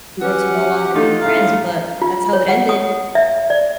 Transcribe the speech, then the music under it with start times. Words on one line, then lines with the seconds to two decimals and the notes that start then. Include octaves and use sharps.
were to no longer be friends, but that's how it ended.
0.21 C#4 F#4 G4 B4 F#5
0.55 E5
0.95 A3 D4 D#4 F4 A4
1.21 A2 C#3 F5 A#5
2.02 F4
2.33 C#5
2.48 F#5
2.69 D#6
3.15 E5
3.50 D5